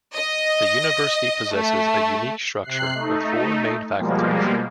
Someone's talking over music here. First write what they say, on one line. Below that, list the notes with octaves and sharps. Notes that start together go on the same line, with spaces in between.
The university possesses a unique structure with four main faculties.
D#5
A3
C3 F#6 C7
A3 D#4
B2 F3 G3 G#3 A#3